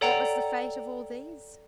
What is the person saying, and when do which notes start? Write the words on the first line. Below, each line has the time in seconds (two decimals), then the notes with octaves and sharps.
What was the fate of all these?
0.01 A4 C#5 D5 F#5 G5 A#5